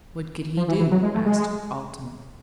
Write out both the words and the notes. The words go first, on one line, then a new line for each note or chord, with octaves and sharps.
"What could he do?" asked Altamont.
F3
E3
E3
F#3
G#3
A3
G#3